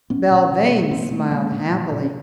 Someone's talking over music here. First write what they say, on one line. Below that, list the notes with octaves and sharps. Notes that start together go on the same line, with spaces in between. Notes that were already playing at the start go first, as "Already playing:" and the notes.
Belvane smiled happily.
A#2 B3 C#4
A#2
B2
B2
B3
B2 A#3 C4
B2 A3 B3
A#2 G#3 A#3
A#2
A#2
A#2